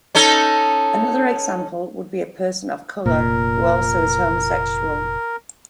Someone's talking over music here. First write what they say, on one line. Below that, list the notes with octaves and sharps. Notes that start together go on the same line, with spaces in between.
Another example would be a person of color who also is homosexual.
C#4 D#4 A4
F1 A#2 A#4